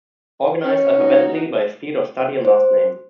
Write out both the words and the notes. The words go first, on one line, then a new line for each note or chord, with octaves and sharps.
Organized alphabetically by field of study and last name.
C#4
D#4 F#4
C5